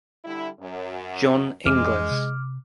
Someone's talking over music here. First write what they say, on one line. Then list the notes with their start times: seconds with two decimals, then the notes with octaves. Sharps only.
John Inglis.
0.25 D3 G3 E4
0.60 F#2
1.66 F2 E3 G#3 C#4 D6 F6
2.11 C3